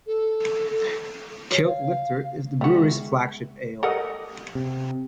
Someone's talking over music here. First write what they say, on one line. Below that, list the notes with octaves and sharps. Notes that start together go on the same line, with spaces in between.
Kilt Lifter is the brewery's flagship ale.
A4
C#5
F5
G3 G#3 B3 F#4 E5
G4 A4 A#4 D#5 F#5
C3